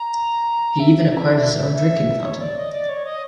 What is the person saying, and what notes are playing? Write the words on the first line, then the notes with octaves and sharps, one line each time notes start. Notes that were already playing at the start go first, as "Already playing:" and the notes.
He even acquires his own drinking fountain.
Already playing: A#5
E5
E5
C#5
D5
D#5
D5
C#5
D#5